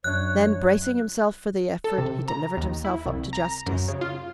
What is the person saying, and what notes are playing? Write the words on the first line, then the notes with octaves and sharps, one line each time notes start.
Then, bracing himself for the effort, he delivered himself up to justice.
F#2 D4 C#5 F#6
A4
C3
A#5
D#2
E4
C2
A#5
F#2
C#3
F4